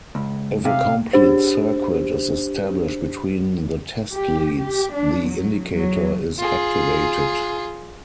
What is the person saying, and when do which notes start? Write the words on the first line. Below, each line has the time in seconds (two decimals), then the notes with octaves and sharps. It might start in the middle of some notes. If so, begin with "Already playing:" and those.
If a complete circuit is established between the test-leads, the indicator is activated.
0.15 C#2
0.65 C3 F5
1.13 D4 G4 C5
4.12 G4
4.59 G4
4.95 D4
5.28 F#3
5.75 F#3
6.38 F4 G#4